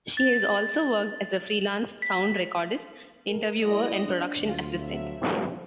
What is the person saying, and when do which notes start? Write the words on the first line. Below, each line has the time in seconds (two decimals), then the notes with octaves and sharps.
She has also worked as a freelance sound recordist, interviewer and production assistant.
0.17 A6
2.02 B6
3.27 G#3 A#4
3.64 F#3 A#3 E4 D5 D#5
4.02 C4 D4
4.44 D2 F#3 F4
4.77 B2 F3 F#3 E5
5.33 D3 F3